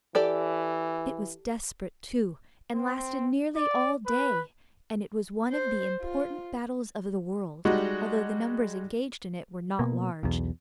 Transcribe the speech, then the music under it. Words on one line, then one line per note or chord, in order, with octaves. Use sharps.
It was desperate, too, and lasted nearly all day--and it was one of the important battles of the world, although the numbers engaged in it were not large.
E3 G4 A4 D5
C4
D5
B4
C5
F4
G3 G#3 D#4 F#4
B2 A#3
B1 E2